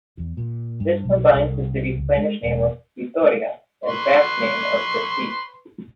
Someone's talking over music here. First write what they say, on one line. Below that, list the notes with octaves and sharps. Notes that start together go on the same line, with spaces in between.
This combines the city's Spanish name of Vitoria and Basque name of Gasteiz.
E2
A#2
G2
B1
C2
C#2
G#3
E1
B4 C6 C#6